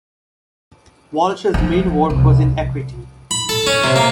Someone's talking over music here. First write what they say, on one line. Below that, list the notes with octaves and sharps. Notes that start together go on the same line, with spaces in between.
Walsh's main work was in equity.
F3 A3
C2
B5
A4
C#4
C3
A#3